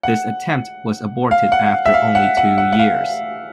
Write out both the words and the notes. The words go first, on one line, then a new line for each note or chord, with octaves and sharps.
This attempt was aborted after only two years.
F#5
F5
F#5
E5
F5
F#5
F#5
F#5
F#5
F5